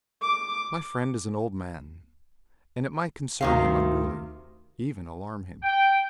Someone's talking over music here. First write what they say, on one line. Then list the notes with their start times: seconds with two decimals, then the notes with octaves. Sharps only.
My friend is an old man, and it might concern him unduly--even alarm him.
0.22 D6
3.41 D2 C3 D#3 F5
5.62 G5